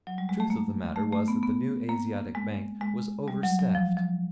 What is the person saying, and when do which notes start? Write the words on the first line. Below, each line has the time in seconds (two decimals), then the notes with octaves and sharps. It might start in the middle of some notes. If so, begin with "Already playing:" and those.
The truth of the matter was that the New Asiatic Bank was over-staffed.
0.07 F#3
0.18 G3
0.29 G#3
0.40 A3
0.50 A#3
0.96 A3
1.12 A3
1.28 B3
1.43 B3
1.89 A#3
2.35 G#3
2.81 G#3
3.28 G3
3.43 F#3
3.59 F#3
3.75 F3
3.97 F3